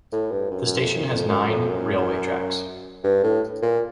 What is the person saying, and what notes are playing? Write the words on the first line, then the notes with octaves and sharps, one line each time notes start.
The station has nine railway tracks.
A2
G2
F#2
F#2
F2
F#2
F2
F#2
F2
F#2
G2
A2
A#2